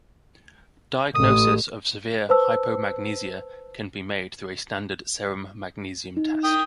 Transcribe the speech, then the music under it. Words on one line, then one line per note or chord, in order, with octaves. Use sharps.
Diagnosis of severe hypomagnesemia can be made through a standard serum magnesium test.
A1 D#6
B4 C5 A5 E6
D#4
G5 D#6